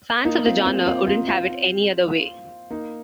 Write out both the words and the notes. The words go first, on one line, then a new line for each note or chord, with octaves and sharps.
Fans of the genre wouldn't have it any other way.
A#3 D#4
C4 F4
C4 F4
C4 F4
C4 F4
C4 F4
A#3 D#4